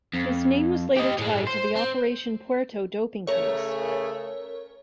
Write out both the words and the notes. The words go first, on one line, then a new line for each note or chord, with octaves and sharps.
His name was later tied to the Operation Puerto doping case.
F2
G4 D#5
A2 G#3
C5
C4
C#3 A3 A#4 C#5